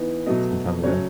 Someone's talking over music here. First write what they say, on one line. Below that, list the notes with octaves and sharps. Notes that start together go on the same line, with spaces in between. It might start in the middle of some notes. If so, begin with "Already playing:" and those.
sometime ago.
Already playing: E3 B3 D#4
B2 F#3 A3 D#5
C#3 F#3 A3 C#4 C#5